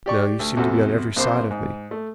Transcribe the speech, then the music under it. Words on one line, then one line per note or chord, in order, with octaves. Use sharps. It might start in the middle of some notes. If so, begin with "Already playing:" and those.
"No; you seem to be on every side of me."
G4 D5 C#6
D2
E2 C3 F#4 A4
A#1 C3 C5 D6
G#2
A3